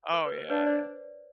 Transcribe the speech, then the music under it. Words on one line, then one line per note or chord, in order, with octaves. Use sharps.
Oh yeah yeah.
A#4
B4
C5
D4 B4 C#5
C5 D5